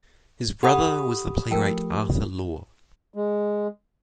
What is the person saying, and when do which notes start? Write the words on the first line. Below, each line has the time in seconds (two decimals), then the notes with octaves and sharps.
His brother was the playwright Arthur Law.
0.63 G4 A4 F#5 B5 D#6
1.51 F3 A3 A#4 G5 A5
3.14 G#3